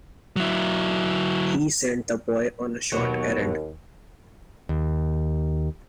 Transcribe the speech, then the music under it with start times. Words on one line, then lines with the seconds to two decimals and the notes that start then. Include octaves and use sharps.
He sent the boy on a short errand.
0.36 F#3 E4
2.92 D#2 B2 F#3
4.69 D#2